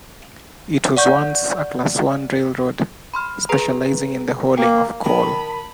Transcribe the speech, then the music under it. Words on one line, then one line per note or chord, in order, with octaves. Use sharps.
It was once a Class One railroad, specializing in the hauling of coal.
D5 F#5 C#6 G6
B5 C6 F6
G#4 B4 A#5
A#3 G5 D6
D#3 A#4 A5 B5